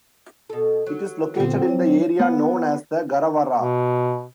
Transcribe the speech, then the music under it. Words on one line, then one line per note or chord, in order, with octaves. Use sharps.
It is located in the area known as the Garawarra.
B2 A4
F#3
A#2 D3 B3 C4 G4
F#3
B3
B2